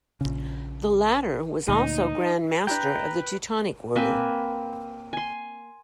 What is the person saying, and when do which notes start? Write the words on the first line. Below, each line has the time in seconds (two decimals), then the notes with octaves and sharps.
The latter was also Grand Master of the Teutonic Order.
0.21 A#1 C#3
1.68 D2 A#2 D#4
2.67 D4 E4 G4 B4 G5 A#5
3.96 A#3 C4 B4 G#5
5.13 G#5 C6